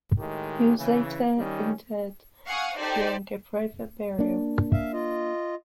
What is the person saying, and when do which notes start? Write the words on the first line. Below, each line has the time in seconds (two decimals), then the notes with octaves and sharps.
He was later interred during a private burial.
0.18 A2 D#3 G#3 G4
0.77 C#3 E3
1.37 D#3 G3 C#4 D#4
2.46 F5 F#5 G#5 C#6 D#6
2.76 D#4 G4 A4 C5 D5
4.19 A#3 D4
4.72 E5 F5
4.93 F4 D#5